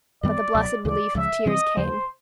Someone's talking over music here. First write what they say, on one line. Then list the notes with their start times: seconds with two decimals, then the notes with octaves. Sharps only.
But the blessed relief of tears came.
0.23 F#2 D#3 G3 B3 D5
0.55 C#2 B2 F#3
0.85 D2 C#3 E3 D5
1.15 C#2 C#3 F3 G#3 E5
1.46 C3 E3 G3 C4 D#5
1.77 D#2 C#3 F3 C5